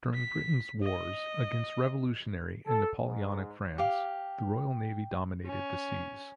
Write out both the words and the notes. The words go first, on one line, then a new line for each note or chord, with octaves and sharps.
During Britain's wars against revolutionary and Napoleonic France, the Royal Navy dominated the seas.
B6
D#5
A4
G#2
G4 F5
C#4